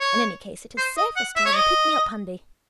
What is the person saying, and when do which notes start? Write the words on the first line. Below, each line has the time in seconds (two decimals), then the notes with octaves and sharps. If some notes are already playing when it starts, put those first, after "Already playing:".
In any case, it is safest to have a pick-me-up handy.'
0.01 C#5
0.78 C5
0.97 D#5
1.16 F#5
1.36 E5
1.46 C#5
1.55 D#5